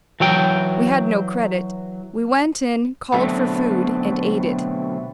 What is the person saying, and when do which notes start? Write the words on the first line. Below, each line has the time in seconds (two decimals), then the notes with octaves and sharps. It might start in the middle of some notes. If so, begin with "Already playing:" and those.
We had no credit; we went in, called for food and ate it.
0.20 E3 F#3 G5
3.13 B2 D3 F#3 A3 B3 C4